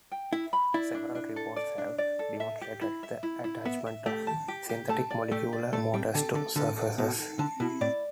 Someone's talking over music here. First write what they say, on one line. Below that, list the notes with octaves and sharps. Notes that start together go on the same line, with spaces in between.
Several reports have demonstrated the attachment of synthetic molecular motors to surfaces.
G5
E4 E5
B5
E4 D5
D4
D4
A4
D5
D4
D5
A4
E5
G4
E4
E5
E4
E4
B3 E5
E5
A3 G4
A5
G4
G4
A3 A5
D5
A3 G4
D5
A3 A4
G3 G5
D3 A4
D3 A4
D3 A4
A4
B2 A4
A4
D3 A5
B2 E4
A2 D5